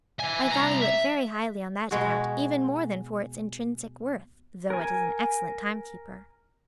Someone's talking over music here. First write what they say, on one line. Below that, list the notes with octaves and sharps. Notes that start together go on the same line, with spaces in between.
"I value it very highly on that account even more than for its intrinsic worth; though it is an excellent time-keeper."
E4 G#5
C2 A#5
E5
B2 G#3 F#4
A#4 G#5